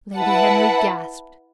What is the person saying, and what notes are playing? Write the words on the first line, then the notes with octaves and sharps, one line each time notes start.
Lady Henry gasped.
E4 B4 F#5 A5